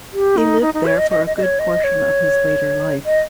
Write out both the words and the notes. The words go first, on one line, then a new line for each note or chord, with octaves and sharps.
He lived there for a good portion of his later life.
G4
D#4
D#4
D#4
C#5
D#5
D#5
D#5
D#5
C#5
D#5
C#5
D#5